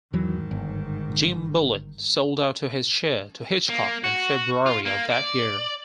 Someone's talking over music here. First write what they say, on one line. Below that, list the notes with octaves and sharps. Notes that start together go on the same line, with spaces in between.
Jim Bulleit sold out to his share to Hitchcock in February of that year.
E2 G#2 D#3 E3 F#3
G1
A#3
F#4
F4
A#3
D5